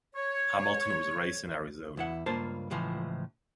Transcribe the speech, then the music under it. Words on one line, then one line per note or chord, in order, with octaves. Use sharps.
Hamilton was raised in Arizona.
C#5
E2 E4 F#5
C#2 G2 A#3 F4 C5 A5
C#2 A2 E3 F3